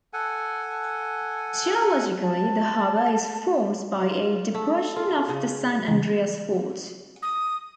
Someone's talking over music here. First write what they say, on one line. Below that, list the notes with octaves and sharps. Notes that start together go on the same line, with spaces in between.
Geologically, the harbor is formed by a depression of the San Andreas Fault.
A4 F#5 G#5
A5
F4
A3
F4
C#3
C#3 E3
D#6